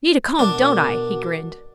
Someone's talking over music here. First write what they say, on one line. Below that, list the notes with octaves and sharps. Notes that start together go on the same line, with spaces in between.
"Need a comb, don't I?" he grinned.
B2 D4 F#4 A#4